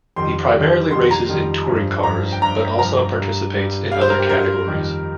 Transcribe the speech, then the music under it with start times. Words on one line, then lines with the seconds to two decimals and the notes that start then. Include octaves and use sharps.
He primarily races in touring cars, but also participates in other categories.
0.16 F2 D#3 G3 C6
0.54 F2 D#3 G3
0.91 F2 D#3 G3 C6
1.11 A#5
1.29 F2 D#3 G3
1.67 G2 F3
2.03 G2 F3 A#5
2.32 G5
2.42 G2 F3 A#5
2.78 G2 F3 A#5
3.16 G2 G3
3.54 G2 G3
3.91 G2 G3 F5
4.01 C5
4.10 A#4
4.20 G4
4.29 G2 G3 A#4
4.67 F2 D#3 G3